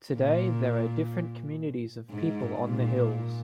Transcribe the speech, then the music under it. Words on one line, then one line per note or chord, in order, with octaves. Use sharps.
Today, there are different communities of people on the hills.
A#2
G#2
A#2